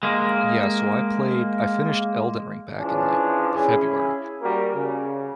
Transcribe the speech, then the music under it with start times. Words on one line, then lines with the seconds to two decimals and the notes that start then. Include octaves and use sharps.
yeah, so I played I finished Elden Ring back in, like, February,
0.03 G#3 A#3
2.79 E3 F3 C#4 D4 G#4
3.54 C#4 E4 G#4
4.42 G3 A#3 F#4 A#4
4.74 C#3